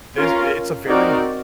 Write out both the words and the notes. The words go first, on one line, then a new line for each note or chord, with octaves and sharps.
this it's a very
C#4 F4 A#4
C4 D#4 F#4 A#4 D5